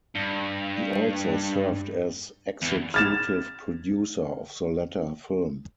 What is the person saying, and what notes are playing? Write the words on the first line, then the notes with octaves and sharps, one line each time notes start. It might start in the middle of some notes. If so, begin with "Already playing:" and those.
He also served as executive producer of the latter film.
G2
E2 E3
F6 A6 E7